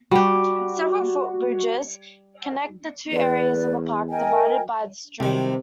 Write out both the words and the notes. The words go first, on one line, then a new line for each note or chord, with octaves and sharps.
Several foot bridges connect the two areas of the park divided by the stream.
G3 F#4 G4
E2 B4 D5
A#4 D#5 G5 G#5
C2 C3 D#3